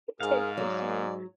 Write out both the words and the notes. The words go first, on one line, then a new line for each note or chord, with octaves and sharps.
take issue
G#2 G#4 A#4 F5
F#3 D5